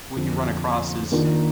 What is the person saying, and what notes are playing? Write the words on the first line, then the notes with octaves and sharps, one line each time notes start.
what you run across is
F2 D3 F3
D#3 A#3 D4 F4